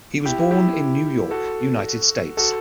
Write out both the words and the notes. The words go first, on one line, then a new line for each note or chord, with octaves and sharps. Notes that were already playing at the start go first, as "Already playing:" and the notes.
He was born in New York, United States.
E4 G4
E4 G4
F#4 A4
F#4 A4